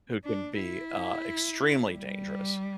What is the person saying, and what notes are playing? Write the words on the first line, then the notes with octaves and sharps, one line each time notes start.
who can be, uh, extremely dangerous,
D4
E4
G3